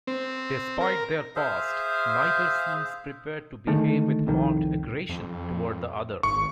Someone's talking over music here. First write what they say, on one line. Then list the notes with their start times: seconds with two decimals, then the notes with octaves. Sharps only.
Despite their past, neither seems prepared to behave with marked aggression toward the other.
0.07 C4
0.81 A#4
1.36 G#4 C5 E5 F5
3.67 D3 D#3 G#3 A3
4.27 C2 F2 D#3
5.09 F2
6.23 G#1 C#6